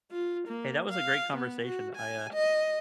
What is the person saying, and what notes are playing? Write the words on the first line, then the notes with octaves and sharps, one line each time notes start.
Hey, that was a great conversation. I, uh
F4
A#3
F5
B3
F#4
G#5
D#5